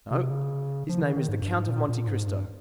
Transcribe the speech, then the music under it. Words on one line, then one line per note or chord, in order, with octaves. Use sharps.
"No, his name is the Count of Monte Cristo."
C3
C#3
F3
D#3
D#3
G#2
G2
G#2
A#2
A#2
G#2
G2